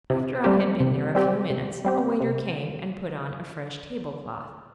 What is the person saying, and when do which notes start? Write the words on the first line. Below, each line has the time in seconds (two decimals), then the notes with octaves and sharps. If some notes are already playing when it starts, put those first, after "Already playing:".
After I had been there a few minutes a waiter came and put on a fresh table cloth.
0.10 C3
0.44 G3 C4 G4
0.80 C3
1.15 G3 C4 G4
1.50 C3
1.85 G3 C4 G4
2.21 C3